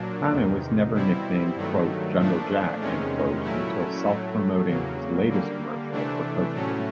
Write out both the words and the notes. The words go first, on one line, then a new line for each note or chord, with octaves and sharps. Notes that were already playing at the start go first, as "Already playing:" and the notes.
Hanna was never nicknamed "Jungle Jack" until self-promoting his latest commercial for Cosequin.
Already playing: A#2 F#3 A#3 D4
E2 C3 D#3
B2 G3 C4 E4
G2 D#3 F#3 A3
A#2 F3 A3 D4
E2 C3 D#3 G#3 C#4
A#2 F#3 A3 C#4 E4
A2 F#3 A3
E2 C#3 F#3 A#3
D3 G3 A#3
C3 E3 A3 D4
A2 F#3 A3 C#4